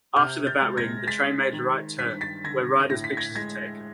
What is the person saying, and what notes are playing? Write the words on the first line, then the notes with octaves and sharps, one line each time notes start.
After the batwing, the train made a right turn, where riders' pictures are taken.
C3 F6 G6
G6 A6
G#3
G#6 A#6
G#3 A6 B6
D#3
G2 B6
A6 B6
D3 G#6 A#6
A2 A#6
B6
G#6 A#6
G#3 G#6 A#6